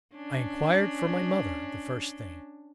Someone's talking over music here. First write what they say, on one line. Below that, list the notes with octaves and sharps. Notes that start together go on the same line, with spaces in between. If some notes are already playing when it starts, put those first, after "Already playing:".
I inquired for my mother the first thing.
C#4 D4